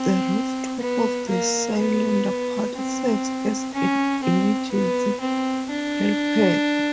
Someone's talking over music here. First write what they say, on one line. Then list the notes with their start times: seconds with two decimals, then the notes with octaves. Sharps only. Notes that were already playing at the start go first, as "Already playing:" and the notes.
The rooftop of the cylinder part serves as an emergency helipad.
Already playing: C4
0.80 B3
1.29 A#3
1.78 B3
2.76 C4
3.74 C#4
4.23 C4
4.72 B3
5.20 C4
5.70 D4